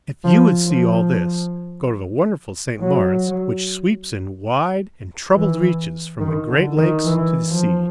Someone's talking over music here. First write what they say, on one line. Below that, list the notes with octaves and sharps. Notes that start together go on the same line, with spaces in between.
If you would see all this, go to the wonderful St. Lawrence, which sweeps in wide and troubled reaches from the Great Lakes to the sea.
F3
F3
F#3
E3
D#3
D3
D#3
E3
F3